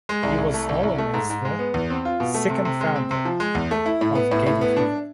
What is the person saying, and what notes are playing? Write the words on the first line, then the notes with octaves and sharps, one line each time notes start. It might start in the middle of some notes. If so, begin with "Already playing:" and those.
He was known as the "second founder" of Gate of Heaven.
G#3
C2
C2
A3
C2
C2
A3
G#2
G#2
G#3
B3
E2
C4
F4
B2
A3
C3
C3
G#3
C4
C3
F3
G#3
E2
A3
E4
A2
B3
A2
A2
B3
D4